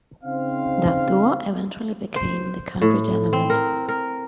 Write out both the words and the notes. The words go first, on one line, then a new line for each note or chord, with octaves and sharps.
That duo eventually became the Country Gentlemen.
C#3 C4 D#4 C5 F5
C5
A2
C4
A#4
A#4